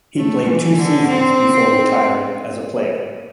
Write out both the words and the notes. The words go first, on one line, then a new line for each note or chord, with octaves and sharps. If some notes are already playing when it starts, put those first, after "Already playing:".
He played two seasons before retiring as a player.
A3
E3
D3
C4